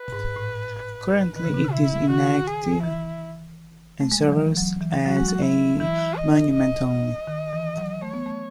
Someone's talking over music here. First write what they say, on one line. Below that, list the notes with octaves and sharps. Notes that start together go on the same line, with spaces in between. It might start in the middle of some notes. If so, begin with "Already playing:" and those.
Currently it is inactive and serves as a monument only.
Already playing: B4
G#2
A2
D#3 B4
C#3
B2
C#3
E4
D#3 F#4
G#4
E3 E4
A3
G#3
F#3
E3
F#3
E3
F#3 F#4
G#3
F#3
E4
E3 E4
D#5
D#5
D#5
D#3
E3
F#3
A3 C#5
B3
A3